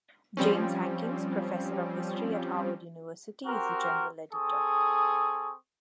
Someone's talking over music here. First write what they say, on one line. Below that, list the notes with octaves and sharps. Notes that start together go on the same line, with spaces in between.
James Hankins, Professor of History at Harvard University, is the General Editor.
F3 G3 C4 C#4
C4 F#4 G4 A#4
C4 G#4 A4 C#6 D#6